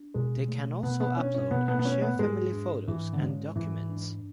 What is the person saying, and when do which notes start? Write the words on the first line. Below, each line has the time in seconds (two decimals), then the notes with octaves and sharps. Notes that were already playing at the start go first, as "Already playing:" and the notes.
They can also upload and share family photos and documents.
Already playing: D4
0.14 B2 G#3
0.48 A3
0.83 B2 B3
1.00 B3
1.17 C#4 D4
1.34 C#4
1.51 B2 B3
1.68 B3
1.79 B3
1.85 A3 C#4
2.02 B3
2.19 G#2 G#3
2.52 D4
2.87 G#2 E3
3.13 D3
3.21 C#3 G#3
3.56 G#2 E3
3.89 D4